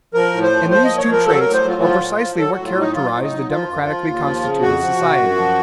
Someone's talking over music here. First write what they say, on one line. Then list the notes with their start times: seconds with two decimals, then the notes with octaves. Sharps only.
And these two traits are precisely what characterize the democratically constituted society.
0.14 F3 A#4
0.33 A2
0.43 C5
0.52 F3
0.71 F3 C5
0.84 A#2 D#5
0.98 C#5
1.07 F3
1.12 A#4
1.26 F#3 A4
1.40 A#4
1.45 A2
1.54 C5
1.64 F#3 F4
1.81 F3 F4
2.01 A#2
2.19 F3
2.38 F#3 A4
2.52 A2 F#4
2.66 F4
2.75 F#3 D#4
2.94 F#3 F4
3.13 A2
3.22 D#4
3.31 F#3
3.49 F3 F4
3.68 F#2
3.86 F3
4.06 D#2
4.24 F3
4.43 C#3
4.61 F2 F#4
4.80 F3
4.98 C3
5.17 F#2
5.36 F3